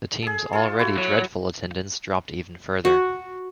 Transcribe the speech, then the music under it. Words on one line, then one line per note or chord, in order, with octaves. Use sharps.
The team's already dreadful attendance dropped even further.
G#4 A4
F4 A4
E4 F#4
F#3
F#4